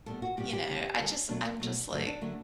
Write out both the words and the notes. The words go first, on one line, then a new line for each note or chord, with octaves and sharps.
you know, I just, I'm just, like
A2 G3 B3 A4
F#4
A2 G3 B3 G4
G4
D2 C#3 G3
D2 C#3 G3 A4
B2 F#3 A3 D4
B2 F#3 A3
G2 D3 F#3 A3
D4
D3 F#3 A3